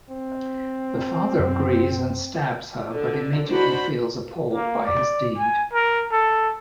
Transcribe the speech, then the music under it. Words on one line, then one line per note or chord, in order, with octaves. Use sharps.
The father agrees and stabs her, but immediately feels appalled by his deed.
C4
F#2
D3
D4 D#4 F#4 C5 B5
A#3
D5
G#5
A#4
A4